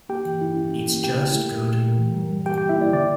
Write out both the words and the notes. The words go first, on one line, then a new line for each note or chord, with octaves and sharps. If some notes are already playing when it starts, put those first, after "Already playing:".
It's just good.
A#3 G4 G5
E3
E4
C#4
E4
A#3
A3 G4 G5
E4
A3
A#2
A#2
A#2
E3
G3
G3
G3 G4 G5
A#3 G4 G5
E4 E5
A#3 D5
D3 D5